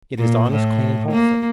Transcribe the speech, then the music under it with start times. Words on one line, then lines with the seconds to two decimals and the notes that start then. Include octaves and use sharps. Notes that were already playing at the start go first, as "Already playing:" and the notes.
It is honest, clean, and wholesome.
0.18 A#2
0.50 A2
1.11 A#3